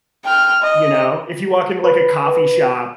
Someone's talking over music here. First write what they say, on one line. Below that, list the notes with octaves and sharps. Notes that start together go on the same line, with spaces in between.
You know? If you walk into, a coffee shop
G5 F6
D#5
B4